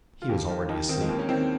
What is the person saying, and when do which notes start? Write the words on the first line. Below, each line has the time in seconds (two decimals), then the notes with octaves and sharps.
He was already asleep.
0.22 F4
0.29 D#2 G4
0.49 D#3 F4
0.69 D#2 D#4
0.89 D#3 C4
1.01 G#3
1.09 D#2 A#3
1.19 C#4
1.29 D#3 C4